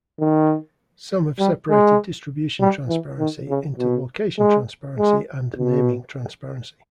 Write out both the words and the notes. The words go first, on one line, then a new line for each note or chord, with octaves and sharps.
Some have separated distribution transparency into location transparency and naming transparency.
D#3
G3
G#3
G3
E3
D#3
C#3
B2
G#3
G#3
B2